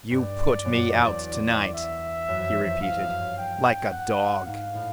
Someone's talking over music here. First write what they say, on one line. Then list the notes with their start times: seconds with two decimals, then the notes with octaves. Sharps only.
"You put me out to-night," he repeated, "like a dog."
0.11 G2 D5
0.65 F#2
0.92 E2
1.74 E5
2.29 F#2
2.40 F2
2.53 E2
2.64 F2
2.82 F2 F5
3.01 F#2
3.20 G2
3.38 G5
3.92 F#5
4.46 G#2 F5
4.74 A2